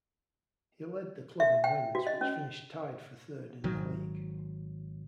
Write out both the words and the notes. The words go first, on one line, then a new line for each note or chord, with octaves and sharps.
He led the club in wins, which finished tied for third in the league.
E5
G5
F#4
D#5
C#4
G#1 D#3 F#3